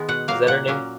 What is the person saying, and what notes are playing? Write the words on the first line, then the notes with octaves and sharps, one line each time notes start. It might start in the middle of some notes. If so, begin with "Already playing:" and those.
is that her name?
Already playing: D#3 G#3 B3
B2 F#5
F#3 A#3 F5
A#2 F#5
F#3 A#3 C#4